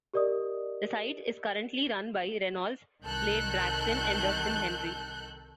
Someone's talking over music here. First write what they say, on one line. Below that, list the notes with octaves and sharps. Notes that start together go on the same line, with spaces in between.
The site is currently run by Reynolds, Blade Braxton and Justin Henry.
G4 A#4 D5 D#5 D#6
C2 D#3 A4 F#6 G6